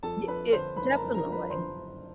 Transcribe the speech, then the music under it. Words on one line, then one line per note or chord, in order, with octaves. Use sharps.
Ye it definitely.
F2 A4 A5
F3 B4 B5
D3 C5 C6
F#1 B4 B5
A5
A#4 A#5
F2
A#4 A#5
F3
B4 B5
D3 C5 C6
F#1